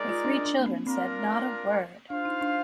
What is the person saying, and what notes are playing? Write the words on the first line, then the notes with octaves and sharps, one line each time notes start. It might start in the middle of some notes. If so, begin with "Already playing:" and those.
The three children said not a word.
Already playing: G#3 D#4 A#4 D5
F4
D4
D4
A#3
C4
C4 D4 F4 A#4
D4 F4 C5 F5
D#4
D4